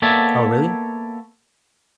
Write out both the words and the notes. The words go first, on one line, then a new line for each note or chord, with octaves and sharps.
Oh, really?
A#3 B3 A4 C#5 D5 E5